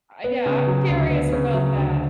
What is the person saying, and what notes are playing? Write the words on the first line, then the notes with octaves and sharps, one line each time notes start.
Uh, yeah, I'm curious about that.
B3
C#3
F#3
D2
B3
C#3
F#3
D2